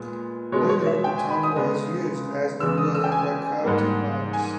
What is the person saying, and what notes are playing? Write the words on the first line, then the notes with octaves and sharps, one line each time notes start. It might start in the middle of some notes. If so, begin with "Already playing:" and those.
Later, the tomb was used as a dwelling by Coptic monks.
Already playing: A#2 G#3 B3
B2 G#3 B3 C#5
C#5
E5
G5
G#5
B5
D#6
C#3 G#3 B3 D#6
E2 C#3 G#3 B3 E6
D#6
E6
G5
G#5
G#2 G3 A#3
G#5